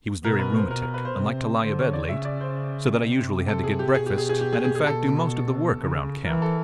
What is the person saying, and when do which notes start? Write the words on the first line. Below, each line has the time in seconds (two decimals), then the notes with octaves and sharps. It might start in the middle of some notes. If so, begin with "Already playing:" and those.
He was very rheumatic and liked to lie abed late, so that I usually had to get breakfast, and, in fact, do most of the work around camp.
0.24 B2 A#4
0.39 B4
0.56 C5
0.71 B2 A#4
0.82 A#4
0.94 B4
1.05 C5
1.17 C3
1.63 D3 C5
1.79 C#5
1.93 D5
2.09 C#3 E5
2.25 D5
2.41 C5
3.02 C3
3.48 A4
3.64 G#4
3.79 G4
3.95 B2 G#4
4.06 G4
4.18 G#4
4.29 G#4
4.40 G4
4.53 G#4
4.64 G#4
4.75 G#4
4.87 B2 A4
5.80 C#3
6.26 E3 A#4
6.42 A4